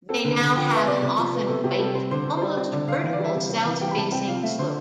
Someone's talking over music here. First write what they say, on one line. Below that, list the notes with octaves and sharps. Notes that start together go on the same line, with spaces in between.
They now have an often white, almost vertical south-facing slope.
C4 A4
D3 B4
D3
F3 G5
B3 E5
C3 D5
C3
F3
B3
C3 A4
C3 G4
B4
G3 A4
C4 C5
D3 C5
D3
C5
G3 D5
C4 D5
D3 D5
D3 F5
E3 E5
D5
G3
E5
C3
C4
E3 F5
G3 G5
B5
C3 A5
C4 G5
F3 F5
A3 E5
D3 C5